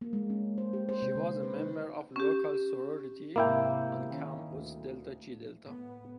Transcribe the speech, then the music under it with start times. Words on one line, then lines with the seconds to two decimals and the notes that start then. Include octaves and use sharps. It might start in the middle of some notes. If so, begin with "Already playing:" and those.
She was a member of a local sorority on campus, Delta Chi Delta.
0.01 A#3
0.13 G#3
0.30 C#4
0.58 C5
0.73 G4
0.89 C5
1.02 C3
1.15 D3
1.43 B4
1.58 D#4
2.16 C#4 G4
3.36 G#2 C3 A#3 E4 G5
4.10 D#3 C#4
4.50 D2
5.66 A2 B3